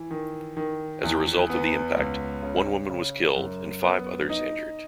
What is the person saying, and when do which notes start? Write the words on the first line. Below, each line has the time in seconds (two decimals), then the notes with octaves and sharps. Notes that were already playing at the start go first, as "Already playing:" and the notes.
As a result of the impact, one woman was killed and five others injured.
Already playing: E3
0.11 D#3
0.57 D#3
1.04 E2
1.50 B3
1.97 C#2
2.43 C#3
2.90 C#3
3.36 F#2
3.82 B3
4.30 D#4